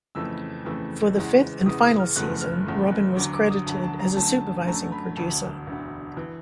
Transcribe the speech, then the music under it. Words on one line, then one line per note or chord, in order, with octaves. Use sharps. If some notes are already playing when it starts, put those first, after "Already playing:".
For the fifth and final season Robin was credited as a supervising producer.
F2 C#3 E3 A3 E6
F2 C#3 E3 A3
E2 C#3 E3 G#3
E2 C#3 E3 G#3 D#6
D#6
F6
F#1 E2 C#3 F3 A3 F#6
F6
F#1 E2 C#3 F3 A3
F#6
D2 D3 F#3 D6
D6
D#6
D2 D3 F#3 A5
A5
A#5
F#2 D3 F#3 A3 A5
F#2 D3 F#3 A3 A#5
B5
E1 D2 D3 A5
E1 D2 D3
E3